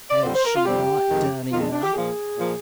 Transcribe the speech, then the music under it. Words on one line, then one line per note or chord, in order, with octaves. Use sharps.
Had she not done enough?
D5
F2 D3 G3 C4 C5
C5
A#4
F4
F2 D3 G3 C4 G4
F2 D#3 G#3
F2 D#3 G#3 F4
D4
D4
G4
A#2 F3 A#3 G#4
A#2 F3 A#3